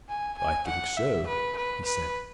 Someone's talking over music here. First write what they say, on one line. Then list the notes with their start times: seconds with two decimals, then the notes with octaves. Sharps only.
"I think so," he said.
0.09 G#5
0.38 G#5
0.67 F#5
0.97 E5
1.27 B4
1.57 B4
1.85 B4